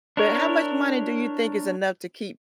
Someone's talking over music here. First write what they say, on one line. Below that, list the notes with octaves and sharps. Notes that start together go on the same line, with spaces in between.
But how much money do you think is enough to keep,
D4 E4 A#4 C#5